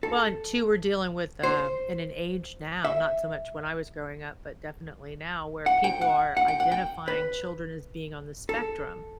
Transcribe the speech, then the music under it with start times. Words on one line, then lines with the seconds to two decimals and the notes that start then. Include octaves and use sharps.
Well, and two, we're dealing with uh in an age now, not so much when I was growing up, but definitely now where people are identifying children as being on the spectrum.
0.03 A4
1.43 C5
2.85 E5
5.66 F#5
5.84 G5
6.01 F#5
6.37 F#5
6.48 G5
6.60 F#5
6.72 G5
7.08 B4
8.49 A4